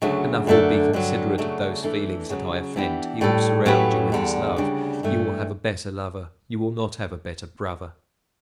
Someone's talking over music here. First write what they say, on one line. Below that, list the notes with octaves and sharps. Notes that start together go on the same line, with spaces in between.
Another will be considerate of those feelings that I offend, he will surround you with his love; you will have a better lover, you will not have a better brother.
D2 C#3 F#3 A3
F#2 D3 A3 D4 A4
G2 D3 F#3
C#3 F#3 A3 D4 F#4
E3 A3 D4 A4
C#3 F#3 C#4
E3 B3 D4 G4
A2 G3 D4 A4
A2 F#3 C#4 G4 B4
E2 D3 G3
D2 C#3 G3 D4
G2 E3 A3